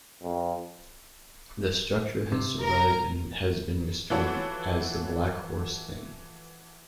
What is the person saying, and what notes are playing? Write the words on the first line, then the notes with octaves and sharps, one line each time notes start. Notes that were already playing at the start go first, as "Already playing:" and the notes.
The structure has survived and has been restored as the Black Horse Inn.
F2
C3
A#4
E3 F3 E4 F#4 A4 C#5